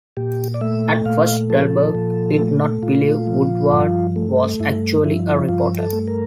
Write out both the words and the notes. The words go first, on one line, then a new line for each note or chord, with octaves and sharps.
At first, Dahlberg did not believe Woodward was actually a reporter.
A#2 G4
D5
A3 E5
A#2 F5
F3 A4
A#2
A3
A#2 F4
F3
G2
A3
G2 E4
F3 E4
E4
G2 F4
A4
A3
A#4